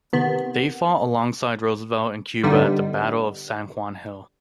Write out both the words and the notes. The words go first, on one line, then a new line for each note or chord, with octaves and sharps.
They fought alongside Roosevelt in Cuba at the Battle of San Juan Hill.
C3 D#3 B3
G2 D3 G3 B3 D#4